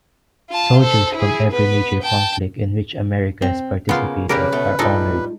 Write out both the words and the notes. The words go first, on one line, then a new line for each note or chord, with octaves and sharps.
Soldiers from every major conflict in which America has participated are honored.
F4 A5
A4 C5
E4 G#4
B3 B4
G5 A5
C4
C#3 A#3 B3 F4
C#3 G3 A#3 G4 G#4 A#4 B4 C#5
B2 A3
A2 G3 G#3 D#4 F4 A4